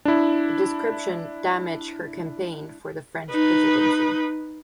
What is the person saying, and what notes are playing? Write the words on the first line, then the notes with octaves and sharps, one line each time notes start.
The description damaged her campaign for the French presidency.
D4 E4
D#4 B4